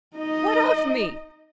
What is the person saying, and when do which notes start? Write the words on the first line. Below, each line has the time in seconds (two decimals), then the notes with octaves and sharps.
What of me?
0.16 D#4 D#5